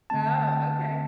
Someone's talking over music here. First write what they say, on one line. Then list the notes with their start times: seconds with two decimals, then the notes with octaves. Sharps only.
Oh, okay.
0.10 D3 A3 C4 A5
0.90 D3 A3 C4